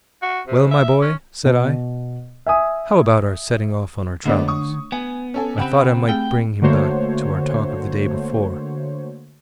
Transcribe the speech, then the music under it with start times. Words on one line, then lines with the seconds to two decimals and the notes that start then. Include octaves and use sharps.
'Well, my boy,' said I, 'how about our setting off on our travels?' I thought I might bring him back to our talk of the day before.
0.22 F#4
0.47 C3
0.71 E5
1.01 C#4
1.45 B2
2.46 E5 G#5 D#6
4.25 D3 G#3 A3 B3 D4 C#5 D5
4.48 C#6 D#6
4.92 B3 G#5
5.34 C#4 A4 G#5
5.58 C#3 C4 G4 F#5 B5
6.09 A3 C4 G#4 G5
6.62 D3 A3 A#3 F#4 C5 C#5